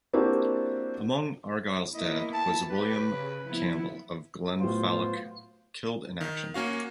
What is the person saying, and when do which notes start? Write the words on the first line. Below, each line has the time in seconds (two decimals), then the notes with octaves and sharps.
Among Argyll's dead was William Campbell of Glenfalloch killed in action.
0.13 A#3 C4 D4 E4 F#4 G4
1.94 A#3 B3 E4 D#5
2.34 A5
2.71 G4 B4
3.08 C#3
3.48 F3 B3 E4
4.60 A2 F#3 B3 F4 C5
6.21 D#3
6.54 A#3 C#4 F#4 F5